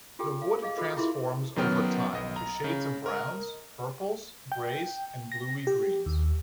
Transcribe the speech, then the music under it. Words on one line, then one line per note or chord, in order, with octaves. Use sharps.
The wood transforms over time to shades of browns, purples, greys, and bluey-greens.
F4 G4 A4 G5
F5
G#4 D#5 F5
F4 F#4 A4 B4 D#5
E4 F4 G#4 A#4 E5 C6
F#2 D#3 F#3 B3 G5 F6
B1 D#5
A#5
C#3
A#4 D#5
G5
A#6
G4
D#2